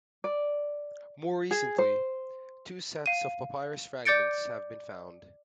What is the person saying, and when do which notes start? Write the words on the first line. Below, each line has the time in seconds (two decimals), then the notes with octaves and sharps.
More recently, two sets of papyrus fragments have been found.
0.24 D5
1.51 G#4
1.78 C5
3.06 F5 D#7
4.05 D5 D6 G6 A6 C#7 D7